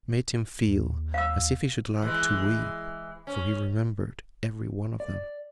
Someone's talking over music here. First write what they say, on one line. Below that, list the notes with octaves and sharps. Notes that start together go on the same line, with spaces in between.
It made him feel as if he should like to weep, for he remembered every one of them.
D#2
F5 E6
E3 G#3
C#4
D5